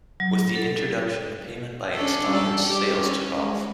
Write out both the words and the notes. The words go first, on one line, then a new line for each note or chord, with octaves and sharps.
With the introduction of payment by installments, sales took off.
F#3
A4
C#4 D4 A4
G3 A4
G4
C#4
G#3